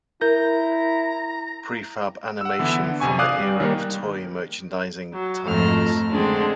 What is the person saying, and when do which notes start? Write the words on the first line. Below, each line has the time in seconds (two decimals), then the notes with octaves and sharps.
Prefab animation from the era of toy merchandising tie-ins.
0.22 E4 A#4 A#5
2.41 F#5 E6
2.59 D3 E3 B3 E4
3.00 F2 C3 G#5 C#6
3.19 D5 F5 G#5 D6 D#6 F#6
3.40 G3
3.60 D#3 G3 A#3
5.13 F#3
5.46 F2 G#2 A3 A#5 F6
6.12 D3 G#3 C4 D4